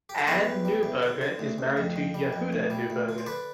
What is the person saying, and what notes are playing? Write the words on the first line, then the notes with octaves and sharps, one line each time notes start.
Anne Neuberger is married to Yehuda Neuberger.
G4
A4
E2 G4 B4
E2
G3
E2
D3
D3
D2
D2
F2
F2
G3
F2
D2
G3
D2
D3
C5
D3 B4 D5